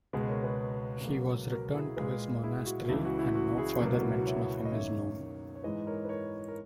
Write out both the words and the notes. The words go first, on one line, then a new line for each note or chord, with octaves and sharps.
He was returned to his monastery, and no further mention of him is known.
C#2 B2 G#3 G#4 B4
A#4 C#5
G#4 B4
C#2 B2 F#3 A#3
F#4 A#4
E4 G#4
A#2 G#3 G#4 B4
E4 G#4
F#4
C#2 C#3 E3 E4
F#4
E4
F#4
E4 G#4
C#2 B2 F#3 A#3 E4
F#4
E4
F#4
C#5 E5
D#5
F#2 D#3 A#3 C#5 E5
C#5
G#2 E3 G#3 B4 D#5
A#4 C#5
B4
A#4 C#5
A#4